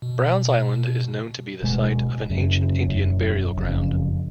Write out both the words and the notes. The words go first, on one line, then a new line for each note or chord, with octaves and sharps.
Browns Island is known to be the site of an ancient Indian burial ground.
B2
D1 B2 G#3
F#2 C#3
E1 F#2
F#1 F2 C#3